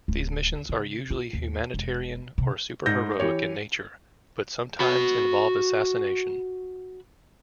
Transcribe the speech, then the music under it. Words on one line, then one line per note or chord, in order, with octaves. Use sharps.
These missions are usually humanitarian or super-heroic in nature, but sometimes involve assassination.
D1
C#3
F4
D#2
E1
C3
G#2 G6 A#6
E3 G4 C#5
F#4 B5